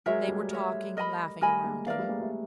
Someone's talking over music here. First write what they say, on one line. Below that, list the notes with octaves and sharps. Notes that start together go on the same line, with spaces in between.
They were talking, laughing around him.
F#3 G#3 A#4 C#5 E5
G3 A3
A#4 C#5 E5
A#4 D#5 G#5 B5
G3 A3 A#4 D#5 G#5 B5
G#3 A#3
A3 B3 A#4 D5 F5
G3 A3
G#3 A#3
G3 A3